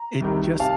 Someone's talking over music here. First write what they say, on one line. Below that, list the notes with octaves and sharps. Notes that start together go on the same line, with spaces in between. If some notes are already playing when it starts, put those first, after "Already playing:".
It just
Already playing: A#5
C2 C3 D#3
C3 F5 A5